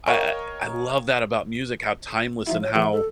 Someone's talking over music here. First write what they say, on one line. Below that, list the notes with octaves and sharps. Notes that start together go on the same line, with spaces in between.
I I I love that about music, how timeless and how
A#4 C#5 D#5 F5 G5 A#5
F3 D#4 E4 E5
C#5
E3 G#3 B3 E5
A4